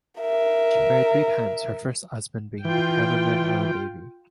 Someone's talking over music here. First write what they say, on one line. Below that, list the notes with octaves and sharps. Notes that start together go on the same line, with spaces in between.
She married three times, her first husband being the cameraman Allen Davey.
A#4 E5
E3 F4 G5